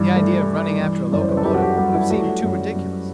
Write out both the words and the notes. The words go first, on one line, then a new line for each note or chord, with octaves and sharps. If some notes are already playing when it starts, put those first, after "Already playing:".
The idea of running after a locomotive would have seemed too ridiculous.
Already playing: G2 E3 E4
A3
A3
E3
F#2 D5
C5
B4
A4
F#2 G4
F#4
G4
G3 F#4
E4
A3 F#4
F#2
F#2